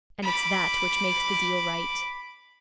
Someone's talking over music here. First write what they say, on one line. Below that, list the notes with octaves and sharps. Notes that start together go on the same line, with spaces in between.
And it's that which makes the deal right.
B5 D6